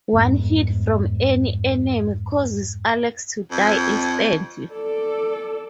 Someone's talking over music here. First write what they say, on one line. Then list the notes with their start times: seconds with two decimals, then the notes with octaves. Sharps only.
One hit from any enemy causes Alex to die instantly.
0.13 F2 G#2 G3 B3
3.51 F2
4.70 A4 D5